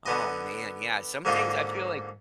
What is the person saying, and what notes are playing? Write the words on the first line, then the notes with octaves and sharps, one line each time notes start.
Oh, man, yeah, some things I feel like
D3 B3 D#5
G#2 D3 A#3 D#4 F4